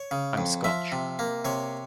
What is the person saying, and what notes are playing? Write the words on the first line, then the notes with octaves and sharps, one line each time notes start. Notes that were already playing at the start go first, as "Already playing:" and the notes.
I'm Scotch.
Already playing: C#5
C#3
F2
F3 E5
C3
A#3
C3 C#5